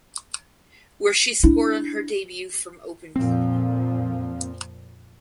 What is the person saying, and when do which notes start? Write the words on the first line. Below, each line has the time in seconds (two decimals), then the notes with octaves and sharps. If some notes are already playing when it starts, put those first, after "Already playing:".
Where she scored on her debut from open play.
1.43 D4 E4
3.16 F2 A#2 F3 C4